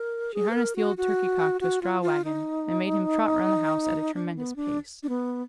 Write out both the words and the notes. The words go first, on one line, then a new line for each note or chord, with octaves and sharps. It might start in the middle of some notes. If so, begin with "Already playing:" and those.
She harnessed the old turkey-cock to a straw wagon, and made him trot round the house at a tremendous pace.
Already playing: A#4
G#4
B4
A#4
F#4
F#4
F#4
F4
F4
D#4
D4
B3
D4
D4
B3